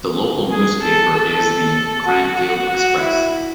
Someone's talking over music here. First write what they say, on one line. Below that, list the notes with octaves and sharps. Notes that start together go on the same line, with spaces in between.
The local newspaper is the "Cranfield Express".
G#4
A4
A4
F#4
F#4
F#4
E4